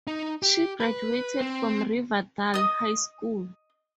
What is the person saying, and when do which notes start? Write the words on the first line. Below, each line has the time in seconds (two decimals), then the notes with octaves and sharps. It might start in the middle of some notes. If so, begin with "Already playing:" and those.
She graduated from Riverdale High School.
0.07 D#4
0.43 G4
0.80 B4
1.41 C4
2.54 D#5 D#6